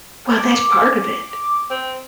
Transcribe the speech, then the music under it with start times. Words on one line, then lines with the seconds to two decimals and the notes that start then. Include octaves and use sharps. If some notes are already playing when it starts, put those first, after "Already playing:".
Well, that's part of it.
0.37 D6
1.70 C4